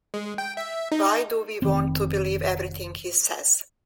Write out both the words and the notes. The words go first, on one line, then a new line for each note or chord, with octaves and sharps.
Why do we want to believe everything he says?
G#3
G5
E5
D#4
F1 D#3 C4